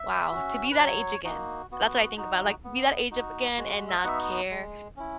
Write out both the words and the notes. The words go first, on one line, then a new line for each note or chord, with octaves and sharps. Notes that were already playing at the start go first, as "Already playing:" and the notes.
Wow, to be that age again." That's what I think about, like, be that age a again, and not care,
Already playing: E5
C#4 F#4
B4
F#3 C#5
A#3 D#4 F#4
B3 F#4
D#4 F#4
B3
D#4 F#4
G#3 F#4
E5
F#5
B3 D#4 F#4 E5
G#3
C#4 E4